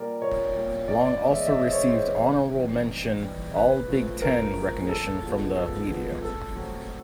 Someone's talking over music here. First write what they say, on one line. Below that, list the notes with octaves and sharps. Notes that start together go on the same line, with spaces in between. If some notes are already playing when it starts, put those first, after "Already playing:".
Long also received honorable mention All-Big Ten recognition from the media.
Already playing: A#2 G3 A#3 A#4 D5
A#2 C#5
G3 A#3
C3 D5
D5
E3 G#3 B3 C#5
E5
D#5
E5
C3 D#5
C5
C#5
E3 G#3 B3 C5
C3
E3 G3
C3
E3 G3
C#3 B4
F3 A3 C4
C#3 A#4
F3 A3 C4
G#4
C#3 A4
F3 G#3 B3
C#3 A4
F3 G#3 B3
C#3 A4
F#3 A3 C4